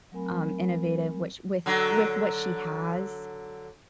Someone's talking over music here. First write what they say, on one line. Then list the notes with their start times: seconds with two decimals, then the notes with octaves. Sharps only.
um, innovative, which with with what she has,
0.12 F#3 A3 C4 A#4 G#5 B5
1.66 D3 F#3